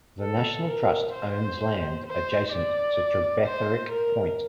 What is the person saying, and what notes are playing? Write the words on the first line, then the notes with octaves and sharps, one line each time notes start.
The National Trust owns land adjacent to Trebetherick Point.
A4
A#4
C5
C5
D5
C5
A#4